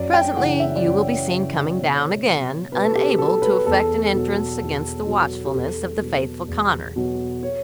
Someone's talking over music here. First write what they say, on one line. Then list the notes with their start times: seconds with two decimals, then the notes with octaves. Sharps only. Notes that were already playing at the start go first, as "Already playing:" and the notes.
Presently you will be seen coming down again, unable to effect an entrance against the watchfulness of the faithful Connor.
Already playing: F#2 D5
0.13 G5
0.37 C#3 E3 F#5
0.60 E5
0.76 D5
0.83 F#2 C#5
1.31 C#3 E3
1.78 B2
2.25 F#3
2.72 B2 B4
2.84 A4
2.95 G4
3.18 F#3 A4
3.42 B4
3.66 E2 A4
4.14 B2 F#3
4.60 E2
5.07 B2 F#3
5.45 G4
5.54 E2 A4
6.01 B2 F#3
6.48 E2
6.96 B2 F#3
7.43 C#5